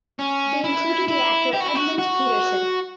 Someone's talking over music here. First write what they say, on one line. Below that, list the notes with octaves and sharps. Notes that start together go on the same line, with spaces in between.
They included the actor Edmund Petersen.
C#4
E4
E4
G4
F#4
E4
F#4
F#4